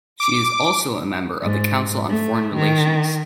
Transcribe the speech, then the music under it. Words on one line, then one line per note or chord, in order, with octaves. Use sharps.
She is also a member of the Council on Foreign Relations.
D6
G#2
A3
D#3